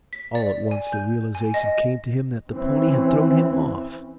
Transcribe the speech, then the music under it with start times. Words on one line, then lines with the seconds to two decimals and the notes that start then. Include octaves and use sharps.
All at once the realization came to him that the pony had thrown him off.
0.13 B6
0.35 D5
0.71 G#5
0.93 G6
1.35 G#5
1.54 D#5
2.49 E3 C4 C#4